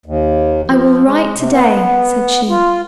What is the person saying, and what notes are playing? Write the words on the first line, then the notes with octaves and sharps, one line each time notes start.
'I will write to-day,' said she.
D#2
F3
G#3
C3
B3
F4